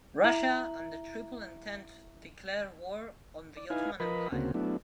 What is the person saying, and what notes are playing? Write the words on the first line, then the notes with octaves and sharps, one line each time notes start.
Russia and the Triple Entente declared war on the Ottoman Empire.
E4 E5 A#5 F#7
D5
D#4 E4 B4 F5 G#5
F3 A#4 B4 D#5 B5
D2 C#3 A#3 C4 F#4
F#3 A3 B3 D4 E4